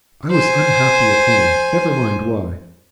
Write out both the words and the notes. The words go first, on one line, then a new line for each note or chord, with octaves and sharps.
I was unhappy at home--never mind why.
C5 G#5